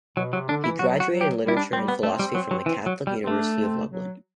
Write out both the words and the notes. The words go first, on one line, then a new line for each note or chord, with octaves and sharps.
He graduated in literature and philosophy from the Catholic University of Lublin.
B2 F#3
C3 F#3
D3 D4
E3 E4
F#3 F#4
F#4
F#3
G4
G3
E4
D4
G3 C4
B3
A3 C4
G3
F#3
F#3
E3
F#3
G3
C4
A3 D4
C4
F#3